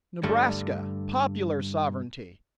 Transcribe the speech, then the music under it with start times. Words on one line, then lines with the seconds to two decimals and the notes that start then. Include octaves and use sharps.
Nebraska--Popular Sovereignty.
0.23 G2 D3 A3